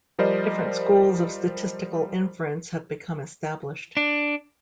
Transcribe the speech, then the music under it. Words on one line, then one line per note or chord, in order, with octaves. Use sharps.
Different schools of statistical inference have become established.
F3 G3 A#4 C5 D5 D#5
D4